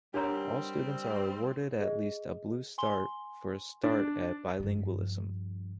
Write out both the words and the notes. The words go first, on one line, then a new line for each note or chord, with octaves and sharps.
All students are awarded at least a blue start for a start at bilingualism.
G3 C4 D4 G4 A#4 C#5 F#5 A#5
G#4 D#5
G#5 C6 G7
D4
G2 F3